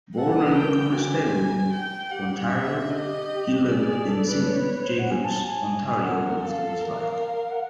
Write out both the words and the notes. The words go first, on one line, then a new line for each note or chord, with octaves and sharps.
Born in Conestogo, Ontario, he lived in Saint Jacobs, Ontario most of his life.
A4 F#5
B4
A#4 G5
F#4 G#5
G4
G5
G4 F#5
E5
G4 G#4 D#5
G#4 D5
G#4
G#4
A4
B4
C#5
C5
F#5
G#5
A5
G#5
A#4 F#5
A4 F#5
F5
A#4
F#5